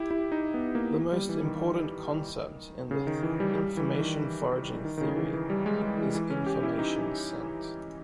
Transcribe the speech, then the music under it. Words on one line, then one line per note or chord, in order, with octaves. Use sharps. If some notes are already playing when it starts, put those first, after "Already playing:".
The most important concept in the information foraging theory is "information scent".
Already playing: E4 G4
E4
D#4
B3
A#3
G3
E3
D#3
C#3
D#3
E3
G3
G3
E3
E3
D#3
D#3
D#3
C#3
E3
E3
G3
G#3
G#3
E3
E3
C#4
G4
E4
D#4